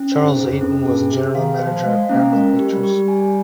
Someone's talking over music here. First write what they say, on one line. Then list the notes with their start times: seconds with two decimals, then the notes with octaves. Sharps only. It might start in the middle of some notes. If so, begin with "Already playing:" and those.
Charles Eyton was the General Manager of Paramount Pictures.
Already playing: C#4
0.11 C3 C5
0.23 G2
0.30 G#2
0.37 G#4
0.48 F2
0.61 G2 C#4
0.67 F2
0.85 G2 G#4
1.10 C3 G#4
1.35 D#3 F5
1.59 F3 C5
1.84 G#3 F5
2.09 A#3 C#4
2.33 G#3 A#4
2.59 G4
2.71 G3
2.83 G4
3.08 G#5